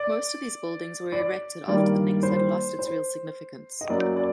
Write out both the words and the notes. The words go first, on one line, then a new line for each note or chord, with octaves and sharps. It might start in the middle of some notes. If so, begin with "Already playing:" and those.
Most of these buildings were erected after the Pnyx had lost its real significance.
Already playing: D5
D5
G2 D#3 G3 A#3 D5
C5
C5
D#5
F#2 F#3 A#3 D5
D5